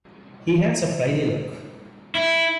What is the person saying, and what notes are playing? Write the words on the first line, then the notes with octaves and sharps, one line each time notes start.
He has a Friday look.
E4